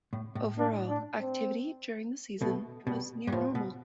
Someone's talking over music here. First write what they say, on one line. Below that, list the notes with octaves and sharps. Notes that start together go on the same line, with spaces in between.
Overall, activity during the season was near normal.
A2
A2
D4
D4
C4
B2 A3
B2 G3
G2
A2 F3
B2